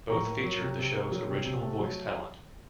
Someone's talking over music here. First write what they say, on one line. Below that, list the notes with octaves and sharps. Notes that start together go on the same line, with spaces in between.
Both feature the show's original voice talent.
A2 A#5 C#6
A#3
F#3
C3
C3
A#3
F#3
C3
C3
A3
F#3